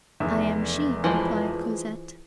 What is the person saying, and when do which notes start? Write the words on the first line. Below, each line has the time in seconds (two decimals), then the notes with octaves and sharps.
"I am she," replied Cosette.
0.20 F1 E2 E5
1.04 E3 F3 G#3